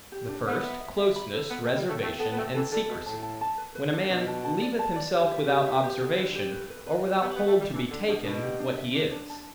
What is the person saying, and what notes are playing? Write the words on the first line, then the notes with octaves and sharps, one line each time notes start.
The first, closeness, reservation, and secrecy; when a man leaveth himself without observation, or without hold to be taken, what he is.
G4
D4
B3 E5
E5
E5
E5
B5
A4
B3 B5
A3
G5
G3
A3 E5
A3 G5
B3 A4
B3
A3 G5
E3 A4
D3 A4
B2 E5
A2 A5
A5
A5
B4
B4
D4
B2 D4
A5
A5
D5
A5
D5
G4
E5
G4
A2 E5
B2 G4
D3 G4
B4
G4
B4
B4
B4
G4
B3 G4
B3
E5
A3
E5
G3
E3 D4
D3 D4
B2 D4
B2 D4
G4
D4
E5
D4
D4
A5